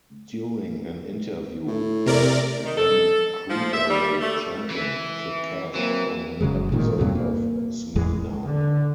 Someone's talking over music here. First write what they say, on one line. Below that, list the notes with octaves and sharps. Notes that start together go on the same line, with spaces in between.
During an interview with then Cruiserweight Champion Kid Kash on an episode of SmackDown!
A2
C3 A#4 D5
D#3
A4
F3
E5
G3
A3
E3
E3 F#3 A#3 C4
F#1 C#3 F#3 G#3
A1 A#2 D#3
E2 G2 C3 F#3
A#3
A1 E2 E3 G#3
D3